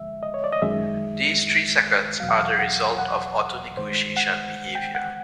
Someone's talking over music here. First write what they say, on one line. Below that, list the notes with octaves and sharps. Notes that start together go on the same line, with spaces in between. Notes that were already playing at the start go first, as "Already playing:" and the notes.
These three seconds are a result of the autonegotiation behavior.
Already playing: G2 D3 F3 G#3 E5
D#5
C#5
D5
D#5
F#2 D#3 G#3 E5
E2 B2 F#3 F5
F#5
F5
F#5
F#5
G2 D#3 G#3 C5
F#5
G5
F#5